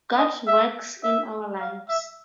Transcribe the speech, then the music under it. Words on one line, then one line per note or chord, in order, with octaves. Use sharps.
God works in our lives.
D#5
E5
E5
F5
E5